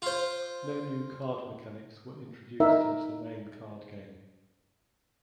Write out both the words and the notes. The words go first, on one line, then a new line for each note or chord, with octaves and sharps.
No new card mechanics were introduced into the main card game.
F4 C5
D#4 A#4 E5